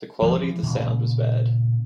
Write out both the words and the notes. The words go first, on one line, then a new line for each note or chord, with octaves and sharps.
The quality of the sound was bad.
E3 F3 G#3
A#2 C#3